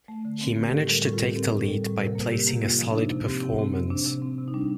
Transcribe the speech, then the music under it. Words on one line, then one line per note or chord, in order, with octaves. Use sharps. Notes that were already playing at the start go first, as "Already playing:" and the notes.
He managed to take the lead by placing a solid performance.
A3
D3
C4
D3
G4
A2 A4
G3 A#4
A2 A4
F4
C4 G4
A4
C4 A#4
A2
G3 A4
A2
C3 A#4
A#3
C3 G4
A#3
C3 F4
F3
D4
C3 D#4
C3
C4 G4
C3
C4
C3
C3 D4
C3
C4
C3
D#4
G3 D4